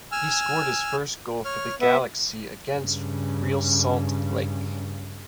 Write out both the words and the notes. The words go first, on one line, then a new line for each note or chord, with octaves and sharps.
He scored his first goal for the Galaxy against Real Salt Lake.
G#5 E6 F6
C#5 F6
B3 E5
G2 C#3